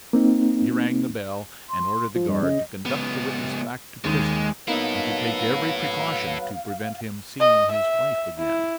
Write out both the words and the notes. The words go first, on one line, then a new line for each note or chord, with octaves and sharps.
He rang the bell, and ordered the guard to conduct the witness back to prison, and to take every precaution to prevent him seeing his wife again.
A#3 C4 D#4
C6
F3
G2 D#5
C#3 D#5
C#2 B3
D#2 D#3 G#3
F#3 A#3 B3 D#4 E4 A4 B4 F5
D#5
E5
E4